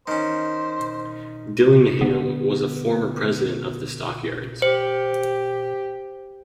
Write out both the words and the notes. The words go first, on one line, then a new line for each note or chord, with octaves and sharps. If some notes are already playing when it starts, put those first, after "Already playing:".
Dillingham was a former president of the Stockyards.
D#3 C#4 C5
D3 B3
G4 C5